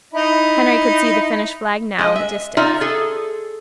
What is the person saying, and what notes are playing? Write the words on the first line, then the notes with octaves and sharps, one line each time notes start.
Henry could see the finish-flag now in the distance.
D#4 E4
G#3 D#5
E5
D#4 F4 D5 E5
G#4 A4